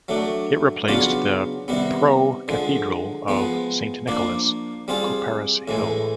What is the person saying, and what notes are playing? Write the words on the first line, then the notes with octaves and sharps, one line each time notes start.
It replaced the Pro-Cathedral of Saint Nicholas, Copperas Hill.
F#3 A3 D4
C#3 F#3 B3 D4 F4
C3 D#3 G3 B3
D3 F3 G#3
F3 G#3 B3
F3 A#3 D4
G3 C4 F4 G#4
A2 E3 G#3